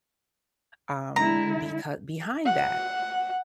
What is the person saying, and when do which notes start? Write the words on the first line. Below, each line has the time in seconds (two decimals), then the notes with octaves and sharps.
um, becau behind that
1.16 D3 G#3 E4 A#5
2.46 F#5